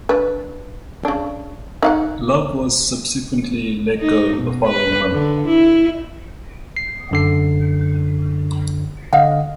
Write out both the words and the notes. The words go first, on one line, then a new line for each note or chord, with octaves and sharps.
Love was subsequently let go the following month.
D4 B4
C#3 D4
D#4 F5 F#5
D#4
B2
B4
D3
E4
C7
F#2 D3 C7
D3 D#5 F5 F#5